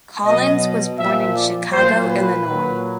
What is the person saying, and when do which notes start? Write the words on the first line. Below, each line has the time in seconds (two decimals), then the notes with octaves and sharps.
Collins was born in Chicago, Illinois.
0.25 B2 F#3 D#5
0.98 A#2 F3 E5
1.35 D5
1.72 A#2 F#3 C5
2.08 B4
2.45 A#2 F#3